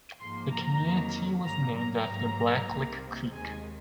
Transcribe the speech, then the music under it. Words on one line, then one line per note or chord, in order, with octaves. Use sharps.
The community was named after Blacklick Creek.
G#2 F3 A#3 C6
A#5
F2 D#3 F#3 A#3
G#2 F#3 A#3 A#5
A#5
G#2 F#3 A#3
C2 C3 D#3 A#3
D#2 D#3 G#3 G#5